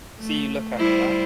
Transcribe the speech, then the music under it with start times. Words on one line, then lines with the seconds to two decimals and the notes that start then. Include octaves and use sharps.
See you look after that.
0.19 A3
0.78 G3 E4 C5